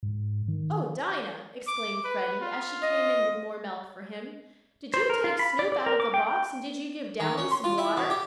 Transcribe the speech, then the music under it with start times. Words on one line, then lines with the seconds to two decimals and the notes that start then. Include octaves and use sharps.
"Oh, Dinah!" exclaimed Freddie, as she came in with more milk for him, "did you take Snoop out of the box and did you give Downy some water?"
0.03 G#2
0.48 D#3
1.67 D6
2.04 B4
2.41 F4
2.82 D#5
4.94 C5
5.10 A#4
5.24 F4
5.39 B5
5.59 D5
5.72 D5
5.86 A#4
6.00 D6
6.14 G5
6.27 G5
7.20 D#3
7.38 C#4
7.51 C6
7.64 F4
7.78 E4
7.97 B2
8.10 G4